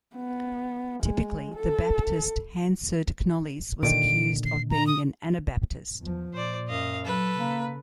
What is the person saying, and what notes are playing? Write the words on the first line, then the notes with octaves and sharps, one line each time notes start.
Typically, the Baptist Hanserd Knollys was accused of being an Anabaptist.
B3
G#3
A4
A#2 D3 D#3 D7
C7
A#5
D#6
E2 F3
A#2 C5 D5
F#2 D#5 F5
F#3 A4 B4
C#3 A#3